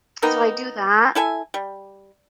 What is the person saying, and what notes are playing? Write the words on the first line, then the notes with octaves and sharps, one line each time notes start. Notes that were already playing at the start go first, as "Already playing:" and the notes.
so I do that.
D#3 A#3 B3 D#4
E4 A4 E5 G#5
G3